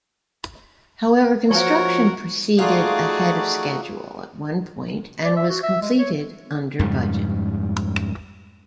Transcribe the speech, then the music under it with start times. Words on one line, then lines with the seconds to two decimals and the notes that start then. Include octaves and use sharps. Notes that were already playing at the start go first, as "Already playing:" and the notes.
However, construction proceeded ahead of schedule at one point and was completed under budget.
1.50 F3 F#4 A#4 C#5
2.59 A3 D#4 F4 F#4 G#4 D5
5.25 D5
5.37 E5
5.49 F#4
5.63 E5
5.81 G#3
5.98 C#5
6.79 F2 G#2 C#3 G3